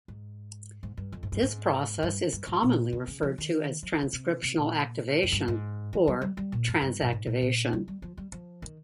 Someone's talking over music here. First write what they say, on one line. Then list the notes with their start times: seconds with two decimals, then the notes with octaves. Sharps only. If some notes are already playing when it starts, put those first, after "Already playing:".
This process is commonly referred to as transcriptional activation, or transactivation.
0.08 G#2
0.83 G#2
0.97 G2
1.12 F2
1.23 G#2
1.32 G2
1.43 G#2
2.03 G2
2.33 G2
2.47 G#2
2.63 A#2
2.93 C#3
3.08 C#3
3.23 F3
3.38 D#3
3.83 F3
3.92 D#3
4.02 C#3
4.13 C3
4.43 C3
4.57 A#2
5.23 F2
5.32 G2
5.48 G#2
5.93 F3
6.08 G3
6.22 G3
6.37 G3
6.52 A#2
6.68 G2
6.82 G2
7.02 A#2
7.13 G#2
7.27 A#2
7.42 A#2
7.73 G3
7.88 G3
8.02 F3
8.17 G3
8.32 F3
8.62 D#3